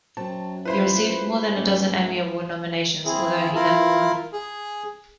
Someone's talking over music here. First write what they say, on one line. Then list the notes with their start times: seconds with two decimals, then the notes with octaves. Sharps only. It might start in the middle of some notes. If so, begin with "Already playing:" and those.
He received more than a dozen Emmy Award nominations, although he never won.
0.17 F#2 F#3 C4 A5
0.65 E4 F4 B4 C5 B5
1.56 G#2 A3 A#3 C#4
3.05 C4 E4 G#4
3.55 E4 F4 A#4
4.32 G#4